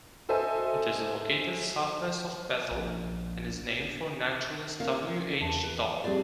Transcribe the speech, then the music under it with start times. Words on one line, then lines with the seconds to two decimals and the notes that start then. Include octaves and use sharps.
It is located southwest of Bethel, and is named for naturalist W. H. Dall.
0.29 F#4 A4 C5 D#5 E5 G#5
2.71 A#1
4.80 C#4 A#4 F5
5.40 E2 A5
5.64 B4
6.04 G3 C4 G#4 D5